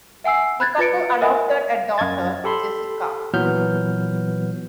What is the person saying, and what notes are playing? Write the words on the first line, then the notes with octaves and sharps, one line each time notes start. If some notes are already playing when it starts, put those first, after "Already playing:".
The couple adopted a daughter, Jessica.
E5 F#5 G#5 E6 C7
B5 F#6 G#6 A6
F4 B4 A6 C#7 D7
A#4 D#5 E5 G#5
F#2 D#5 G#6 A6
G4 A4 B5 C6
A#2 E3 F#3 B3 F6 G6